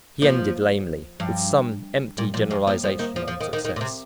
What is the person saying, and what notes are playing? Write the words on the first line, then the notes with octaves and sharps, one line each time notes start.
He ended lamely, with some empty generalisation on success.
F3 A#3
G2 F3
A#2 G3
A#2 F3
G3
G2
F3 A#3
F3 G3
D#3 A#3
F3
F3
D#3
D#3
D#3
A#2
C3